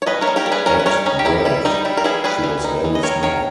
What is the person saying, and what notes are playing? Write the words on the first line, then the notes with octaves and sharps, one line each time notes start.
At birth she was very small.
C#5
G3 B4 D#5
A#4 C#5
A#3
G4 A#4
G3
G#4 B4
C#4 A#4 C#5
B4
G3 A#4 C#5
C#4 D#4
G4
D#4 E4
G3 E4
G3 D#4
G3 E4
A#4
E3 E4 G#4
G3 G#4 B4
E3
D#4
E3
D#5
D#3 A#4 C#5
D#3 A#4 C#5